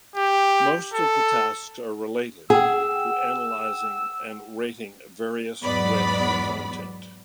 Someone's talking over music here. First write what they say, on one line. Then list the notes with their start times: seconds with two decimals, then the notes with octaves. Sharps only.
Most of the tasks are related to analyzing and rating various web content.
0.16 G4
0.94 A4
2.50 G#4 F#5 G5 E6
5.63 E2 G#2 F#3 B3 D5 B5